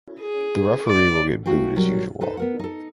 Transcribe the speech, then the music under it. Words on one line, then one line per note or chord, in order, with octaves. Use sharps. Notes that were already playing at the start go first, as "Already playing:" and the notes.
The referee will get booed as usual.
G#4
D5
A3 B3 D#4 F#4 F5 G5
B2 F#3 G3 A#4 C#5
D#4 A4 B4 C5
B3 A#4 F#5
D#4 A4